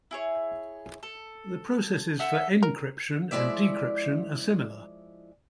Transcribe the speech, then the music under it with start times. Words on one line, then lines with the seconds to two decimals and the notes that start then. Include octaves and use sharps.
The processes for encryption and decryption are similar.
0.11 E4 G#4 C#5
1.03 A4
2.19 A4 C5 E5 F#5
2.63 A#4
3.31 F3 G#3 C#4 E4 D5 E5